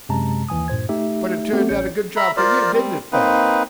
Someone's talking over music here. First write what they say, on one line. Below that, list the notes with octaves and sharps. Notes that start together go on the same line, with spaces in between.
But it turned out a good job for you; didn't it, Fagin!
F#2 C3 G#3 A5 A#5
D#2 E3 G#5 D#6
G2 A#2 C5 G#6
A3 D#4 G4 E5
A3 B3 C4 F#4 G4 A4
A1 C#4 C#5 G6 C#7
E5 A#5 B5
F4 A#4 C5 D5
G3 C4
A#3 C4 D#4 B4